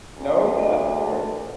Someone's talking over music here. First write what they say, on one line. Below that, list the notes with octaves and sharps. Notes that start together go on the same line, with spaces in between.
No, yeah, of course.
D2